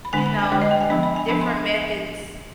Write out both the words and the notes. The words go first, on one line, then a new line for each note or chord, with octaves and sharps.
you know, different methods
B5
D3 G#3 D4 G#5
B5
G#5
D3 G#3 D4 G5
D#5
G5
G#5
F3 B3 D4 B5
B5
G#5
F3 B3 D4 B5
C6